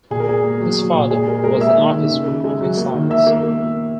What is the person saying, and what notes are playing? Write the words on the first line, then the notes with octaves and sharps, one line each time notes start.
His father was an officer of excise.
A#2 G#4
A#4
A#3 G#4
A#3
F#3
F#3
A#2
G#3 G#4
G#3 A#4
G#3 A#4
A#3 E5
D#3
D#3
C#3
C#3
G#3
F#3
A#3
D#3
A#3 E5
A#3
A#3